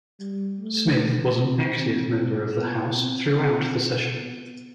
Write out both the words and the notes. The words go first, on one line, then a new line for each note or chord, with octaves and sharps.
Smith was an active member of the House throughout the session.
G3
A3
C4
C4
B3
C4
C4
B3